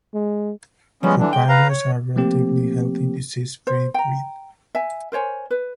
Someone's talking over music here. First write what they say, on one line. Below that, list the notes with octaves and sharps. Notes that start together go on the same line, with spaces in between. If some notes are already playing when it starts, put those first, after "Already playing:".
Rottweilers are a relatively healthy, disease-free breed.
G#3
F3 G3 G#3 B3 C#4
D3 E3 D4
G#3 G5
B4 F5 A#5
C#5
F3 A3 A#3 C4 G4
C5
G5 A#5
E5 G#5
A#4 C5 C#5 G#5
B4